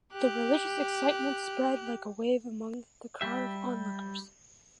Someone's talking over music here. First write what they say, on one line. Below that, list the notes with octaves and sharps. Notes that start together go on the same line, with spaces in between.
The religious excitement spread like a wave among the crowd of onlookers.
G4 F#6
G3 G4 E5